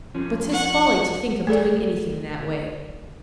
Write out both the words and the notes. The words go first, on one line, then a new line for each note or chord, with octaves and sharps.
But 'tis folly to think of doing anything that way.
F3 C#4
F#5 C#6
A3 G#4 A4 D5